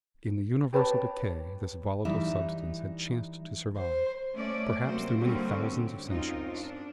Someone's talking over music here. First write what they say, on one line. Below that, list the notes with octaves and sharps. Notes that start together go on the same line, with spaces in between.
In the universal decay this volatile substance had chanced to survive, perhaps through many thousands of centuries.
G4 B4 C#5 A5
E3 G3 D#4 E5
C5
A3 C#4 D5
C3 F#3 A#3 C5
D3 F#3 G3 A#3 C4 C#4
G3
F#2 C4 D#4 F4
D4